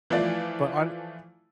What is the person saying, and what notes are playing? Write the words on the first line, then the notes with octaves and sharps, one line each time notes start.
But hone
E3 F3 A3 E4 F4 D5